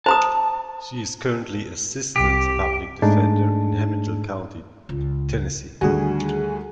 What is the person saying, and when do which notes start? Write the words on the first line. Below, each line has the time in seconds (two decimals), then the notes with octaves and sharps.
She is currently Assistant Public Defender in Hamilton County, Tennessee.
0.06 C5 A5 A#5 D#6
2.16 C2 G4
3.02 G#2 A3 D4 D#4 G#4 A5
4.89 C#2
5.81 D2 D#3 G3 D#4 F#4 G#4 G#5